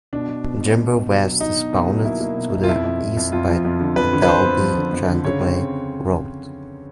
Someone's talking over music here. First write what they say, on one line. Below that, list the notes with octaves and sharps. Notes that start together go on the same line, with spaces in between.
Jimbour West is bounded to the east by the Dalby Jandowae Road.
B2 D4
B2
B2
B2
B2
B2
F#3
F#3
F#3 D#4
B2
B2
F#3
A#3 E4
A#3
B2
B2
F4
F2 E4
F2
F2
F2
F2 F4
F3
F2
D3
F2 B4
D3
B4
D3 C5
F2
F3
D3
F2
D3
C#3 C#5
C4